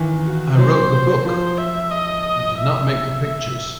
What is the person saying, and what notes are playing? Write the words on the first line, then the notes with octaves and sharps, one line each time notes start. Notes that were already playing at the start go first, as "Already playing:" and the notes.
I wrote the book; I did not make the pictures.
Already playing: D#3 E3
F#4
F#3 C5
F3 C5
E5
D#5
E5
E5